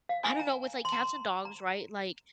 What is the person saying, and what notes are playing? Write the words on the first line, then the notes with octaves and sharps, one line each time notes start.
I don't know with, like, cats and dogs, right, like,
F5
G#5
A#5
C6
A#5
C6
A#5